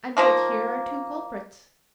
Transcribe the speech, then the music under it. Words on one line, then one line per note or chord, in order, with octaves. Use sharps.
"And yet here are two culprits."
D#3 F3 A#3